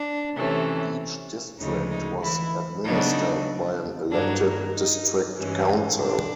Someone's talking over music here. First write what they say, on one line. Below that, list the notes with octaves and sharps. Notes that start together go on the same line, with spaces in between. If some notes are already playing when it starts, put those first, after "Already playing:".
Each district was administered by an elected district council.
Already playing: D4
C3 E3 A3 C#4
D2 C#3 F3 G#3 D#4
D#4
E3 E4
C#3 F#3 B3 D4 D#4
G2 D#3 F#3 A#3 D4
D#4
G2 E3 G#3 C#4
D4